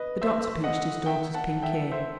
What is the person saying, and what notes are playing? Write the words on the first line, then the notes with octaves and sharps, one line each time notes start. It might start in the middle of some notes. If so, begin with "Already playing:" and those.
The doctor pinched his daughter's pink ear.
Already playing: B4 D#5
C5 E5
D#5 F#5
E5 G5
F#5 A5
E5 G5
C5 E5